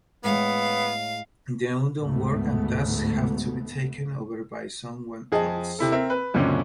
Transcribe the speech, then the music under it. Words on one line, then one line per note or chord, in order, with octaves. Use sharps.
The undone work and tasks have to be taken over by someone else.
A2 G#3 B3 C#5 F5
A1 D2 G#2 G#3 A3 B3
F2 G#4 D#5 A5
C3 E4 A4
C4 A#4 E5
B4
C#2 F#2 A#2 D3 C4 C#4